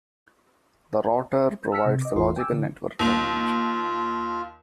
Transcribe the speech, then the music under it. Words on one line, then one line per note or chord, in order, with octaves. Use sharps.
The router provides the logical network termination.
A5 E6 F6 B6 C#7
C3
D#5 D6
G#1 E2 F4 A#4 C6
G5 G#5 D6 E6
D3
D#2 F4 F7